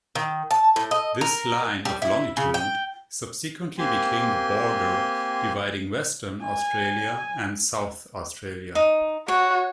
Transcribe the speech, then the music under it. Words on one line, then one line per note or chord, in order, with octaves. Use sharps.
This line of longitude subsequently became the border dividing Western Australia and South Australia.
D#3
A5
A2
D#5
A#4
G3
E4
C#3
G5
A#3 C4 G4 G#5 C6
G#5
D#4
F#4 C#5